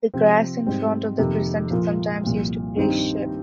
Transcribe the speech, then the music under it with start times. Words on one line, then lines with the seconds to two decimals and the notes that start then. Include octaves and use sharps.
The grass in front of the crescent is sometimes used to graze sheep.
0.14 C3 F3 C4
0.66 G#2 G3 C4
1.18 F2 C3 D#3 A#3
1.71 A#2 F3 A#3 F4
2.23 C2 A#2 F3
2.76 G2 D#3 G3 C4 D#4